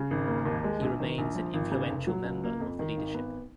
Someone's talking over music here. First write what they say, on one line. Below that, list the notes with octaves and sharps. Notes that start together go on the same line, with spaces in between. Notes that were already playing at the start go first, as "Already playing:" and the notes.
He remains an influential member of the leadership.
Already playing: C#3
G#1
A#3
D#2
G#3
A#1
D#3
A#1
F3
G#1
C#3
F1
F#3
C#2
A#3
F2
D#3
G#1
B3